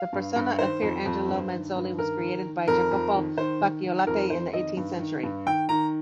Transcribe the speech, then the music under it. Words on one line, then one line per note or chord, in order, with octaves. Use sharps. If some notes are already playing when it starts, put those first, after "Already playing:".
The persona of Pier Angelo Manzolli was created by Jacopo Facciolati in the eighteenth-century.
Already playing: F5
G2
G2
D#3 C5
F2
F2
G2
D#3
G2
D#3 A#4
D#3
D#3
F2 A#4
F2
D#3
D#3 C5
D#3
D#3
F2 A#4
F2 C5
D#3 D#5
G2
D#3
G2
D#3 G5
D#3 A#5